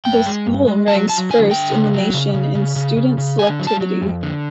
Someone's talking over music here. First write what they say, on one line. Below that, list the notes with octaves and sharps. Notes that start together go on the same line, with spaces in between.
The School ranks first in the nation in student selectivity.
G2 G5
G#3
G2
G#3
F#3 A5
F#3 A5
D3 G#5
D3 G5
C#3
F#3
C#3
C#3
C#3
C#3
C#3
C#3
D3 G#5
F#3
A5
F#3
F2
D3